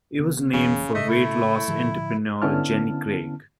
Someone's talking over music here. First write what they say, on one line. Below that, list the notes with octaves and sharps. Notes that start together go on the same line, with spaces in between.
It was named for weight-loss entrepreneur Jenny Craig.
C#3 B3
F1 C#3 E3 A#3
A2 C#3 A3 D#5 E5
E4
A2 D3 F3
D3 B3 C#4 E4 A5 F6